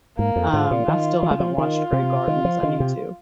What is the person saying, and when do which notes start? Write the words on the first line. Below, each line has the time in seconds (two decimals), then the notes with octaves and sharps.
Um, I still haven't watched Grey Gardens. I need to.
0.18 G#2 A#3
0.36 F2
0.53 G#2 F4
0.71 A#2
0.88 D#3
1.23 F3
1.31 G#3
1.40 F3
1.58 D#3 F4
1.92 C3
2.28 D#3
2.45 F3
2.63 D#3
2.80 C3